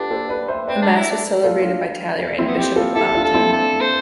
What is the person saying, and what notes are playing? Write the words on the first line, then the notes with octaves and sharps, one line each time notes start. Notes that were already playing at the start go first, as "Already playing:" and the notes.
A mass was celebrated by Talleyrand, bishop of Autun.
Already playing: D4 F4 G4 A4 B4
A4 C5
B4 D5
C5 E5
C4 B4 D5
D4
E4
D4
F4 A4
D4 F4
C4 E4
B3
C4 E4 G4
F4 A4
E4 G4 A4
D4 F4
A4
C4 E4
D4 A4
C5